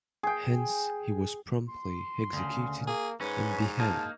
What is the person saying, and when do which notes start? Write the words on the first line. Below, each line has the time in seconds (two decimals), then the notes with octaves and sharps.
Hence he was promptly executed and beheaded.
0.23 G#4 G5
1.69 C6
2.33 D2 C#3
2.87 A#3 G#4
3.21 G#2 C#4 B4
3.79 A#3 D#4 A5